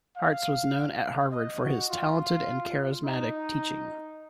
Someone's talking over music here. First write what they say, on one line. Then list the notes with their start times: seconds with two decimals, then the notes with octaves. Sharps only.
Hartz was known at Harvard for his talented and charismatic teaching.
0.17 F5
1.32 D#5
1.61 F#4
1.90 F4
3.05 D#4